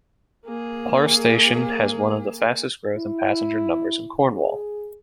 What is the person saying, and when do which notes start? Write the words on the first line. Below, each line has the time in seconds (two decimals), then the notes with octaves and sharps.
Par station has one of the fastest growth in passenger numbers in Cornwall.
0.45 A#3 G#4
2.96 E4
4.33 G#4